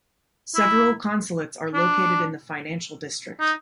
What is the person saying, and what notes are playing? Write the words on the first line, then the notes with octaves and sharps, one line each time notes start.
Several consulates are located in the financial district.
E4
D4
D#4